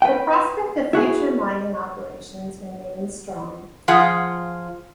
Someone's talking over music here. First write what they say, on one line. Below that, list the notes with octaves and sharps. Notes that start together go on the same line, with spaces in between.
The prospect of future mining operations remains strong.
B4 G5
E4 F#4 G#4 G#5
F3 F4 G#4 F#5